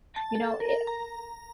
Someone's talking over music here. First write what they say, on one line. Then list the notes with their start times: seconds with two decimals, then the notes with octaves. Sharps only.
you know, i
0.16 A5
0.35 A4
0.60 A#4
0.87 A#5